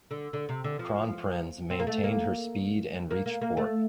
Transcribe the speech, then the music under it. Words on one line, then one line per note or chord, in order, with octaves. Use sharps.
"Kronprinz" maintained her speed and reached port.
D3
D3
C3
D3
F3
C4
A#3
A3
A#3
A#3
A#3
A#3
A3